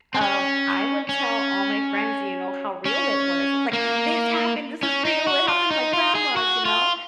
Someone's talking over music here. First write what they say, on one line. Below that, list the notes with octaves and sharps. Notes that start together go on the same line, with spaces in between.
um, I would tell all my friends, you know, how real it was, I was, like, "This happened! This is real, it happened to my grandma," you know?
C4
C#4
C#4
C#4
A#3
C#4
D#4
F#4
F4
D#4
F4
G#4
F#4
F4